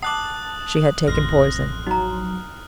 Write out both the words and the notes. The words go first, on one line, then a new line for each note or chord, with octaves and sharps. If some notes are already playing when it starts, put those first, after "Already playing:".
She had taken poison.
F#5 A5 D6 D#6 F#6 F#7
A1 F2 C6 F6 A#6
F#3 D#4 A#5